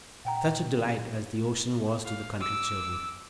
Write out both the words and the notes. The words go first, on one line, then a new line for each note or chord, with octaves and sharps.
Such a delight as the ocean was to the country children!
A#2 F#5 G5 A#5
F5
D6 E6